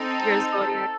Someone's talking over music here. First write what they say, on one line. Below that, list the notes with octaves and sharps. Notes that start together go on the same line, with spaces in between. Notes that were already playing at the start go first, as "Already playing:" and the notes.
Your zodiac
Already playing: C4 D#4 A4